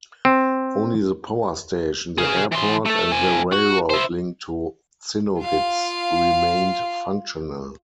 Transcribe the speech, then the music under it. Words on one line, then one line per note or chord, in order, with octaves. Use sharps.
Only the power station, the airport, and the railroad link to Zinnowitz remained functional.
C4
G#4 F5
E3 C6
A3 A4
F3 G#5
F#4
E4 C5
F4 F5